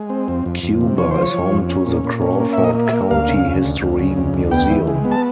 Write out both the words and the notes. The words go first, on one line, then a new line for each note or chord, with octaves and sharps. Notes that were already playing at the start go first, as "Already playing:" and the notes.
Cuba is home to the Crawford County History Museum.
Already playing: G#3
C4
F2
F2
F2
C3
F3 C#5
F3 C5
C#5
F3
F2
C#4
A#2
A#2
C#4
A#3
A#2 E5
D#5
A#3
E5
A#3
D2 F5
C#3
D2
D2
D2
C#3
D2
D2
B3 G5
E3
G#3
B3
A5